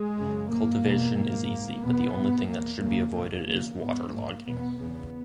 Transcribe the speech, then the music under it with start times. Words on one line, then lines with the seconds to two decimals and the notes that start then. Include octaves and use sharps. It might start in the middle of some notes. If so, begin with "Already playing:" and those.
Cultivation is easy but the only thing that should be avoided is waterlogging.
Already playing: G#3
0.17 F#2 C#3
0.50 G#2 A#3
0.83 E2 B2
1.16 G#2
1.49 G#2
1.82 E2 B2 B3
2.16 G#2
2.49 E2 B2 A#3
2.82 E2 C#3 A#3
3.15 E2 B2 A#3
3.48 E2 C#3 A#3
3.81 G#2 B3
4.14 G#2 A#3
4.47 E2 B2 B3
4.80 E2 C#3 B3